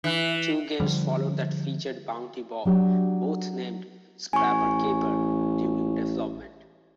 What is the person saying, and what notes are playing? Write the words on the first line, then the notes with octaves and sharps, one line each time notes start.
Two games followed that featured Bounty Bob, both named "Scraper Caper" during development.
E3
D3 F3 G3
F#3 D4 G4
A1 G#5 C#6